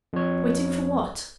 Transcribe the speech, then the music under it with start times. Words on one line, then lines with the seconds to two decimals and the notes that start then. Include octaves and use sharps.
Waiting for what?
0.13 F2 C#5